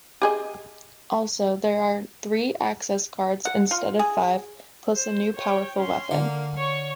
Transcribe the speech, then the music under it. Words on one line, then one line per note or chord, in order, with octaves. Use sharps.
Also there are three access cards instead of five plus a new powerful weapon.
G4 G#4 D#5
F#5
F4
G#4
C5
C#5 G5
C#4 C6
D3 A#3
C#5 C#6